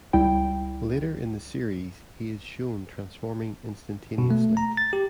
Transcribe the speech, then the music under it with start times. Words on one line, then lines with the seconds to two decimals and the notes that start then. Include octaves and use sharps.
Later in the series he is shown transforming instantaneously.
0.13 C#2 G3 E4 G5
4.18 B2
4.31 A3
4.57 A#5
4.77 A6
4.93 G4